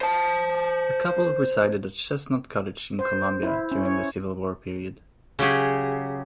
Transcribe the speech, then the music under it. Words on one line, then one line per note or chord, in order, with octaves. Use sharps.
The couple resided at Chesnut Cottage in Columbia during the Civil War period.
C5 A5
C5
E4
C#4
C#5
C#3 F#3 G4 G#4